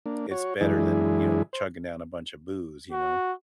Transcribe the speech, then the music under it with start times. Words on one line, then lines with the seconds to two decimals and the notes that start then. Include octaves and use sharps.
it's better than, you know, chugging down a bunch of booze, you know?
0.06 A#3 D4
0.31 F#4 C#5
0.61 F#2 E3 G#3 D4 E4 G#4
1.53 C5
2.92 F#4